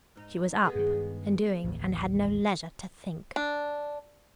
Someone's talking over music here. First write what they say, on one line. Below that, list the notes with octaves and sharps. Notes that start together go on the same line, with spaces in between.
She was up and doing and had no leisure to think.
G#2 D#4
G#3 B3 G#4
G2 D#3
A1 D#2
D4